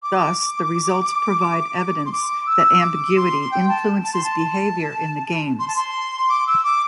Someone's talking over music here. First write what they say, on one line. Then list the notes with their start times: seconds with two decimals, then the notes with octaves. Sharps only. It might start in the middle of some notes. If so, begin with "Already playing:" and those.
Thus, the results provide evidence that ambiguity influences behaviour in the games.
0.03 D6
2.05 C6
2.12 D6
2.46 E6
2.81 D6
3.16 C6
3.51 G5
3.69 A5
4.03 A5
4.13 C6
4.24 A5
5.59 C6
5.68 A5
5.76 C6
6.29 D6
6.47 E6
6.64 D6